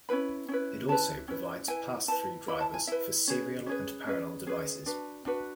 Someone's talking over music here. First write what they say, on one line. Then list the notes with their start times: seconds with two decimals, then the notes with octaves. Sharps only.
It also provides pass-through drivers for serial and parallel devices.
0.09 C#4 E4 B4 B5
0.48 C#4 E4 B4
0.88 C#4 E4 B4 A5
1.28 C#4 E4 B4
1.68 E4 B4 G#5
2.08 E4 B4 A5
2.48 E4 B4 B5
2.60 A5
2.74 G#5
2.87 E4 B4 E5
3.27 C#4 G#4 B4
3.67 C#4 G#4 B4
4.07 C#4 G#4 B4
4.47 C#4 G#4 B4
4.86 D4 F#4 B4
5.26 D4 F#4 B4